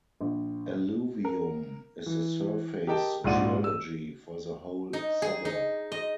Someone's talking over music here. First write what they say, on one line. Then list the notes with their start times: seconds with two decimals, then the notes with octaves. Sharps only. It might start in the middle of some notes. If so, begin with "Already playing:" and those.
Alluvium is the surface geology for the whole suburb.
0.21 A#1
1.25 A#4
2.06 E3
2.87 G4 G#4 A#4 D#5 G5 A5
3.24 A#1 G#2 F4 D5 F#5 D#7
3.64 E6
4.93 D#4
5.22 G#4
5.45 D#4
5.92 D#5